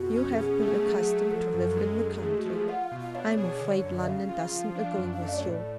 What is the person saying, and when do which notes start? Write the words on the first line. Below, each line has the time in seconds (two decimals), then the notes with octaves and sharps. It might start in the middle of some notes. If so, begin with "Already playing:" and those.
"You have been accustomed to live in the country; I am afraid London doesn't agree with you."
Already playing: F2 B2 F#4
0.16 C#4
0.33 A4
0.39 B2 G#4
0.62 A3
0.85 F#3
1.08 F#3
1.31 F3 A4
1.54 F#2
1.77 G#3
2.00 G#3
2.16 A4
2.22 A3 G#4
2.38 F#4
2.46 F3
2.53 G#4
2.69 F4 F#5
2.84 F5
2.92 B2
3.00 F5
3.15 D4 C#5
3.38 G#4
3.60 D3
3.83 F#2
4.06 C#3 F5
4.29 F4
4.52 F3
4.75 D4
4.98 F#2
5.14 F5
5.21 A3
5.29 D5
5.37 C#5
5.44 A2 D5